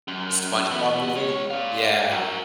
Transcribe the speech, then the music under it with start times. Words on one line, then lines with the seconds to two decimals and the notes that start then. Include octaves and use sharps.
The SpongeBob movie? Yeah.
0.08 F#2
0.71 E2 B3
1.16 C#2 C#5
1.50 D5 F5
2.11 F#4 A#4